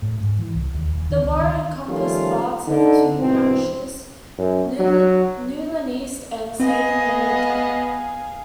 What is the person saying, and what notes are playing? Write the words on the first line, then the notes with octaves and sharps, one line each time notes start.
The borough encompassed parts of two parishes, Newlyn East and Saint Enoder.
A2
G#2
E3
C2
D#2
D#1
D#3
C#2
D#3
D#3 F3 G3 A3 C#4 F4
D3 D#4
G2 B2 E3 C4
F#2
F#3
B3 C4 G#4 D#5 F5